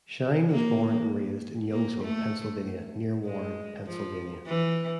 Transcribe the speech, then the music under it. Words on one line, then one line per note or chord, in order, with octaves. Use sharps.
Shine was born and raised in Youngsville, Pennsylvania, near Warren, Pennsylvania.
A#3
A#3
A3
G#3
F3
E3